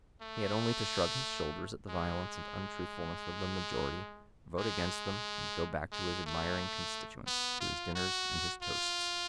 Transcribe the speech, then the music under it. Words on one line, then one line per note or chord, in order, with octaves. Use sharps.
He had only to shrug his shoulders at the violence and untruthfulness of the majority, vote against them, and go back to his admiring constituents, to his dinners and his toasts.
A3
G#3
G#3
G#3
A3
B3
F4
F#4
F4